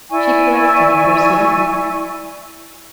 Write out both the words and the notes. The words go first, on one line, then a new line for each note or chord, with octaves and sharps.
She caressed him with her smile.
E4 D5 G#5 C#6